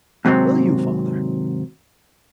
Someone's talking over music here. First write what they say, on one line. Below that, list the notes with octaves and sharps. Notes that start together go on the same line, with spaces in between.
'Will you, father?
D#2 G#2 C3 F#3 C4